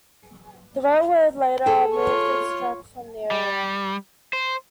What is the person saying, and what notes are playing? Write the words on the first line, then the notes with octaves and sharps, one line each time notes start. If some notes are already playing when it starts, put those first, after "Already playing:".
The railroad later removed its tracks from the area.
G#4 A4
F4 C#5
G3
C5